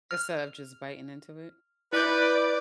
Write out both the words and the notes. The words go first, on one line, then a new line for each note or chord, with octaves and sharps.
Instead of just biting into it.
F6
E4 B4 D5 G6